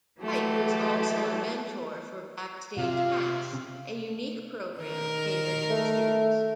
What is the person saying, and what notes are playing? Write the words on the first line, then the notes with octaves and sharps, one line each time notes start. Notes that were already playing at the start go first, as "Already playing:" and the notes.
Pyke was also a mentor for Backstage Pass, a unique program catered for students.
E3 F#3 A3 G4
C3 F4 F5
D#3 A#4
A3